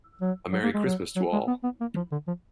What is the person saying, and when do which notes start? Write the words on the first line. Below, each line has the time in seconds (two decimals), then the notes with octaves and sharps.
A Merry Christmas to all!
0.22 F#3
0.52 F#3
0.63 A#3
0.75 G#3
0.84 F#3
1.16 F#3
1.33 G#3
1.48 B3
1.64 B3
1.81 A#3
1.96 F3
2.12 D3
2.27 F3